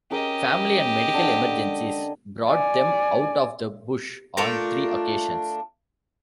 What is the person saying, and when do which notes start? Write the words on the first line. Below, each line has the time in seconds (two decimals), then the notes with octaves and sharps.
Family and medical emergencies brought them out of the bush on three occasions.
0.11 C#4 G4 G#4 A#4 D#5
1.14 D3
2.47 D5 G#5
4.37 A3 D4 F4 A#4